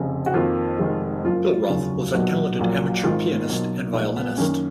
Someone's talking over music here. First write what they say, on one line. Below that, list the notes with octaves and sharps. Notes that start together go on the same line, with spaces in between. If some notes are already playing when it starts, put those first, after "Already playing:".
Billroth was a talented amateur pianist and violinist.
Already playing: F1 F2 C#3
F#4
F2 D#3 A#3 F4
F1 F2 D#3 G#3
F#1 F#2 F3 A#3 F4
F1 D#2 C#3 F#3
B1 A#2 F#3 B3 F#4
A#1 A#2 F#3
G#1 G#2 D#3 F4
B1 B2 F#3 A#3
A#1 A#2 G#3 D#4
B3
F#2 D#3 A#3 C#4